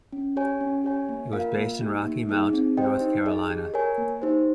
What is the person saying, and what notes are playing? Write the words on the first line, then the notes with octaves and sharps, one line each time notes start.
It was based in Rocky Mount, North Carolina.
C#4
G4 C#5 G#5
C#4
G4 C#5 G#5
A#3
F4 A#4 F5
A#3
D#4 G4
A#3
D#4 G#4
C4
G4 C5 D#5 G5
D#4
G#4 D#5
G4
A#4 C#5 G#5
A#3
D#4 G4 C5